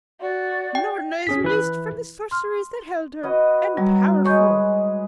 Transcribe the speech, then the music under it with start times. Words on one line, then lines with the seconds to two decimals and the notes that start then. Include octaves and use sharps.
Noorna, is released from the sorceries that held her, and powerful.'
0.21 F#4 D5
0.75 G5
1.27 C#4 G#4 B6
1.44 E3 B4
2.31 C6 F6
3.23 F#4 B4 D#5
3.77 F#3 G3
4.25 G#3 G#4 B4 C#5 C#6 G6